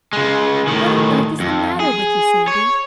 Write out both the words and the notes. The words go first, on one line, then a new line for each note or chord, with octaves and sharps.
What on earth is the matter with you, Sandy?
C#3 G#3
A2 D#3
F2
G#4
C#5